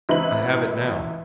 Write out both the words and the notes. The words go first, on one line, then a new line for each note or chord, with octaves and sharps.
I have it now.
C#2 E3 C4 E4 B4 F#7